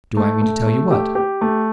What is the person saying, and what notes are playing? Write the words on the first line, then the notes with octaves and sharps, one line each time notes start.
Do I mean to tell you what?'
A3
A3
A3
G4
G4
A3